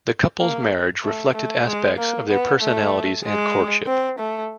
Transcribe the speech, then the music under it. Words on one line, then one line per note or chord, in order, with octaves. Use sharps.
The couple's marriage reflected aspects of their personalities and courtship.
A#3
A3
A3
G#3
A#3
B3
A3
G#3
C4
A3